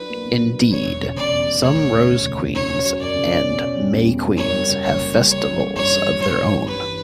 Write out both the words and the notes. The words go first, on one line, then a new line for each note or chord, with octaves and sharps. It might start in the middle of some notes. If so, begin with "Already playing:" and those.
Indeed, some Rose Queens and May Queens have festivals of their own.
Already playing: F#3 D4 E4 B4
A#3
B2
F#3
D4
E2 C#5
E1
C#3
E1 D5
E2
E1
D2 C#5
E1
C#3
E1
D2
E1
C#3 C#5
C#4
F#3
F#2 D5
C#3
C#4
B2
C#4
G3
E2
B2
C#4
F#2 C#5
G3
C#3
F#1 C#5
F#2
G3
E3 C#5
C#4
G3
G2 C#5
E3
C#4
E3 C#5
G2
G3
G2 B4
E3